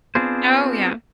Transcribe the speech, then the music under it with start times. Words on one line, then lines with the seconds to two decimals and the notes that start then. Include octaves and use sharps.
Oh, yeah.
0.15 B3 C4 D4 F4 G#4 C5